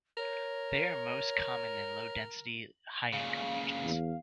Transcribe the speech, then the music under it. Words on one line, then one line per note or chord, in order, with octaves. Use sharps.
They are most common in low-density, high-income regions.
A#4 C#5
A#2 C#3 F5
E2